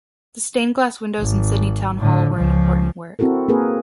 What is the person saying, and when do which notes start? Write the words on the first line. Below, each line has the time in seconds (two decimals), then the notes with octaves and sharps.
The stained glass windows in Sydney Town Hall were an important work.
1.20 G#1
1.99 A2 D3
2.34 C#2 F3
3.19 C4 E4 F#4 A4 A#4
3.48 A#3 C4 G#4 A#4 B4